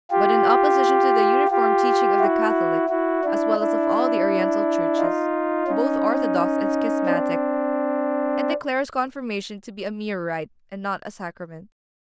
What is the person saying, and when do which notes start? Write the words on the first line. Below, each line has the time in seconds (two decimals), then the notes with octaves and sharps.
But, in opposition to the uniform teaching of the Catholic, as well as of all the Oriental churches, both orthodox and schismatic, it declares Confirmation to be a mere rite and not a Sacrament.
0.11 F4 G4
1.50 F4 G4
2.19 E4 F#4
2.89 E4 F#4
3.24 D4 E4
3.58 D4 E4
4.98 D#4 F4
5.68 C#4 D#4
7.07 C4 D4